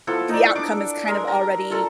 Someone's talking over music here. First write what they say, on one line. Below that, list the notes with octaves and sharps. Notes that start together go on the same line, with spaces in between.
the outcome is kind of already
F3 B3 E4 A4
D#4 D5
D4 D6
G#3 A#4
A#4 A#5
F4 A4 A5 A#5